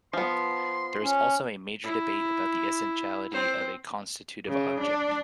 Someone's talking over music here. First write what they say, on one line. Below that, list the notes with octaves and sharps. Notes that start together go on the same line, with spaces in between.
There is also a major debate about the essentiality of a constitutive object.
F3 B3 C6
C#4
E4
C4 C5
C#3
D4